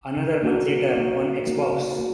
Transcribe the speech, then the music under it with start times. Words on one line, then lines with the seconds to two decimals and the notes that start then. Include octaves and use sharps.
Another month later: on Xbox.
0.17 C#3
0.43 A#3 F#4 A#4
0.69 C#3
0.95 A#3 D#4 F#4 A#4
1.21 C#3
1.47 A#3 D#4 F#4 A#4
1.72 C#3
1.98 A#3 F#4 A#4